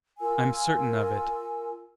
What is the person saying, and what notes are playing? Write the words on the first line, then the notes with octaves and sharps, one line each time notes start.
"I'm certain of it."
F4 A#4 G#5 E6